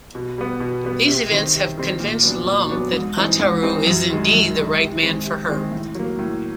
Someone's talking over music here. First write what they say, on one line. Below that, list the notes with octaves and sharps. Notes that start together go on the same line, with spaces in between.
These events have convinced Lum that Ataru is indeed the right man for her.
B2
G3 B3
B2
G3 B3
C3
D#3 G3 C4
C3
D#3 G3 C4
A#2
F#3 B3 D4
A#2
F#3 B3 D4
G#2
E3 G3 C4 D#4
G#2
E3 G3 C4 D#4
F#2
D#3 G#3
F#2
D#3 G#3
C3
D#3 G#3 C4
C3
D#3 G#3 C4
A2
F#3 A#3
A2